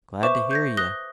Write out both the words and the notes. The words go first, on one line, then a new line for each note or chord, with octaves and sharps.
Glad to hear you!
B4 C5 E5 C#6 D6 E7
G6 G#6 A#6
D#6 F#6 A#6 G7